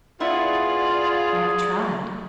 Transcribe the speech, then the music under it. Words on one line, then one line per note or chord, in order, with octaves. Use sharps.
I have tried.
B3 E4 F4 G#4 D5 F#5